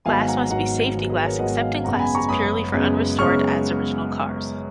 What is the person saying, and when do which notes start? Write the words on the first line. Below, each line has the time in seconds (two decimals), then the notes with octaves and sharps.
Glass must be safety glass except in classes purely for unrestored, as-original cars.
0.06 G#1 G#2 F#3 B3 F5 G#5
0.28 F#5 A#5
0.50 G#1 G#2 F#3 B3 F#5 A#5
0.95 G#1 G#2 F#3 B3
1.10 G#4 B4
1.25 A#4 C#5
1.39 G#1 G#2 F#3 B3 D#5 F#5
1.62 F5 G#5
1.84 F#2 C#3 G#3 B3 F#5 A#5
1.99 G#5 B5
2.15 A#5 C#6
2.29 F#2 C#3 G#3 B3 B5 D#6
2.74 F#2 C#3 G#3 B3
3.18 F#2 C#3 G#3 B3 C#6 F6